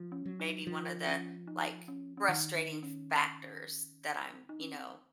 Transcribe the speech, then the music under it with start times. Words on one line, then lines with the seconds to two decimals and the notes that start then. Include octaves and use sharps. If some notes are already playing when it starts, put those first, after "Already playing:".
maybe one of the, like, frustrating factors that I'm, you know,
Already playing: F3
0.12 C#4
0.25 F#3
0.40 D#4
0.67 F3
1.07 C#4
1.47 D#4
1.88 C#4
2.17 C#4
2.28 D#3 D#4
2.56 D#4
2.83 C#4
4.49 D#4
4.61 C#4
4.73 C4